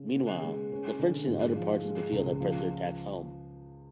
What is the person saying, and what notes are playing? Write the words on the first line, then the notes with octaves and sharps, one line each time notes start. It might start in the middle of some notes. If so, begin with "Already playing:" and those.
Meanwhile, the French in other parts of the field had pressed their attacks home.
Already playing: C#3
B3
G#3
C#4
D3
G#2
F3
G#3
C#2
F3